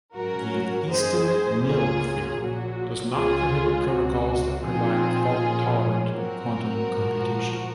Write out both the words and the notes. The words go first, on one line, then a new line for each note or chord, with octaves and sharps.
The Eastin–Knill theorem does not prohibit protocols that provide fault tolerant quantum computation.
G#2 F#3 C#4 F#4 A#4
F#2 D#3 A#3 G#4 C5
C#2 C#3 F#3 A#3 F4 G#4
A#1 A#2 F#3 F#4
C#2 C#3 G#3 F4 G#4
C#2 C3 F#3 F#4
A#2 F3 C4 D#4 F4 G#4
A#2 F3 A#3 C#4
G#2 F#3 C4 F#4 A#4
A#1 G#2 F3